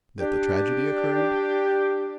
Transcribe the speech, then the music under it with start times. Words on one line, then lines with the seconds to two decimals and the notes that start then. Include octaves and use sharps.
"That the tragedy occurred?"
0.20 D4 G4